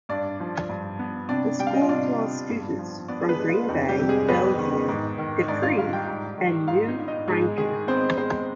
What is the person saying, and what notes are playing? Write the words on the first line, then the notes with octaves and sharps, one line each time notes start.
The school draws students from Green Bay, Bellevue, De Pere, and New Franken.
G2 D4 D5
F3
G2
B3
C3 D4 D5
G3 G5
F5
D#5
F4 F5
C3 D4 D5
B3
G2
F3
B3 D4 D5
G#4
B3 B4
G#3
F4
F2 D#4
G3 G4
C3
G#3 G#4
F2 B3 B4
D#3
G#2
D#3
G#2 D4 D5
F4 F5
G3 F4 F5
G4 G5
G#2
D#3
G#2 F4 F5
D#4 D#5
B3
D#4 D#5
G#2 G#3 G#4
D#3 G#3 G#4
B3 C4 C5
G#3 C4 C5